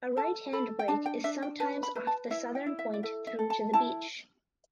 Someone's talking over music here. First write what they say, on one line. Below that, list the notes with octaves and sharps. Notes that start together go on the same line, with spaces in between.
A right hand break is sometimes off the southern point through to the beach.
A4 A5
A4 B5
G5
D4 A5
G5
D4 E5
G5
B4 A5
B5
B4
A5
E4 E5
G5
E4
E5
D5
A4 E5
E5
A4
A5
E4 A5